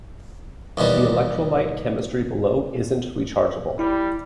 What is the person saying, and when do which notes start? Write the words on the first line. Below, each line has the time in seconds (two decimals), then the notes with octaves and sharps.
The electrolyte chemistry below isn't rechargeable.
0.77 D#2 B2 E3 G3
3.79 G3 E4